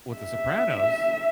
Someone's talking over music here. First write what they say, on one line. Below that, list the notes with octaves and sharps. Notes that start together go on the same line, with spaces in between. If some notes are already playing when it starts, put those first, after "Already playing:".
With The Sopranos,
E5